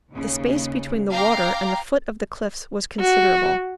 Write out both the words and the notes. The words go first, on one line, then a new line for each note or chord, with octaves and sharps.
The space between the water and the foot of the cliffs was considerable.
D#2 C#3
F5 G5 A#5 D6
F#4